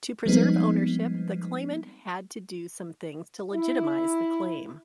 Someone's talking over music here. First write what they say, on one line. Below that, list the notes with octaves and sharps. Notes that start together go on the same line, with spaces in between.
To preserve ownership, the claimant had to do some things to legitimize the claim.
F3 G3 G#3 B3 C4 D#4
E4